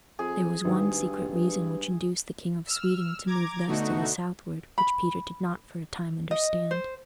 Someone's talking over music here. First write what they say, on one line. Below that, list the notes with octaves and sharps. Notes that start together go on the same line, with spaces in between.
There was one secret reason which induced the King of Sweden to move thus to the southward which Peter did not for a time understand.
F2 G#4
G#1 G2 B4
E6 F6
A#5 D6 G#6
B2 D3 A3 D#4 F#4
B5
D#5
C5